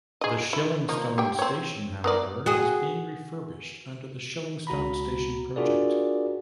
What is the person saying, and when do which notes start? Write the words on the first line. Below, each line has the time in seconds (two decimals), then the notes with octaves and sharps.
The Shillingstone Station, however, is being refurbished under the "Shillingstone Station Project".
0.21 G#4 D#5
0.53 E4
0.89 F3 A#3 D#4
1.18 G4 G5
1.39 C4 C#5
2.04 B3 A#4 D5
2.46 F#4 G#4
4.67 C#2 F#4 A#5 B5
5.56 D4 F4 F#4 G#4 A#4 D5